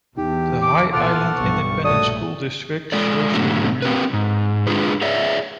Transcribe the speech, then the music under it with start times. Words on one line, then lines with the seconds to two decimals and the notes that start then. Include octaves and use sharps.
The High Island Independent School District serves the community.
0.17 E2 D#4 G4
0.62 D6
0.93 B1 A#2 F4 A4 F#5 D6 F6 D7
1.37 B1 G2 C#6
1.84 A#1 A3 F#4 A4 C#5 D5 D#6
2.92 G#3 A4 D5
3.34 G#2 B2 D3 F#3 A3
3.82 C4 G4 A#4 B4
4.13 G#2
4.67 G#3 D4 F4 G#4 B4
5.01 G#4 C#5 D5 E5